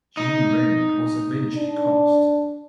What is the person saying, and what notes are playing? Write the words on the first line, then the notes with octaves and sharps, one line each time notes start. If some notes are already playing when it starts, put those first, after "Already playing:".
Gene Raymond was eventually cast.
D#4
D4